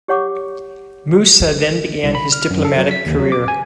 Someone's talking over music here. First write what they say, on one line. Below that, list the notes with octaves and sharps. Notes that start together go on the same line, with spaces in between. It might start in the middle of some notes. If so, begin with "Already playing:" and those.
Moussa then began his diplomatic career.
G4 C#5 F#5 C#6 D6
C2
B5
F6
F#2
A4
F#3
B6
D#2
F#3
D6
G#5